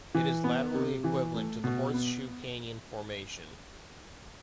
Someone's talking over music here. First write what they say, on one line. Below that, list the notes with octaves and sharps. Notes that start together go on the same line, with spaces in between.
It is laterally equivalent to the Horseshoe Canyon Formation.
E3
B3
C3
E3
A3
B2
B3